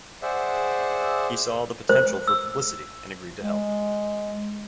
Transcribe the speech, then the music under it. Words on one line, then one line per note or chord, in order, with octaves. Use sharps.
He saw the potential for publicity and agreed to help.
G#4 C5 D5 E5 F#5
C5
E6
G#3